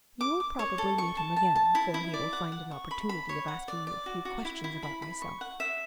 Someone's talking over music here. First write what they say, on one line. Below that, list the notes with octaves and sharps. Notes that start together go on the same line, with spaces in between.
You will probably meet him again, for he will find an opportunity of asking you a few questions about myself.
D6
D6
C#5
A4
C#6
A5
A5
A5
E4
E4
D5
F#5
F#5
C#6
B5
B5
C#5
F#5
D5
D5
F#4
F#4
E4
E4
B5
B5
C#6
F#5
E5